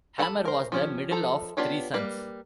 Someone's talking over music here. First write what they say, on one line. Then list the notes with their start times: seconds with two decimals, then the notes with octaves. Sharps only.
Hammer was the middle of three sons.
0.18 A4 F#5 G5 A5 B5
0.45 A#4 C5
0.72 F3 C#4 G4
1.11 F3 A4 A#5
1.57 B3 D4 F4 G4 C#5
1.94 G3 A#3 B4